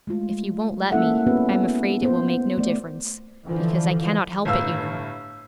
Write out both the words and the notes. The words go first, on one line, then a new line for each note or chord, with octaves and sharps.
'If you won't let me, I am afraid it will make no difference, because I cannot help it, you know.
G#3 A3 F4
A#3 C#4 E4 A4 E5 F#5
B3 C#4 F#4 G#4 B4
B3 C5
A3 D5
D3 E3 F3
G1 A2 F5 E6